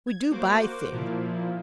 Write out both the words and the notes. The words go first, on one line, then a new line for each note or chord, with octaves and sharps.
We do buy things.
G#6
A#3 F#4 C5 D6
A#2 F3 A#3 E4